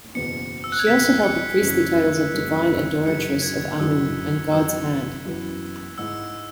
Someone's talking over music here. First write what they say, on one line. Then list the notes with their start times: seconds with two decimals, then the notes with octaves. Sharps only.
She also held the priestly titles of "Divine Adoratrice of Amun" and "God's Hand".
0.14 F#1 E2 B2 C#7
0.64 E6
0.72 F#6
0.79 G#6
0.87 F#1 E2 B2 B6
1.24 C#7
1.61 F#1 F#2 E3 G#3 C#4
2.33 F#1 F#2 E3 G#3 C#4
3.06 F#2 C#3 G#3 E4 C#7
3.42 G#6
3.79 F#2 C#3 G#3 E4 E6
4.52 F#2 E3 B3 E4 E6
5.25 F#2 E3 B3 E4
5.98 G#2 G#3 E4 E6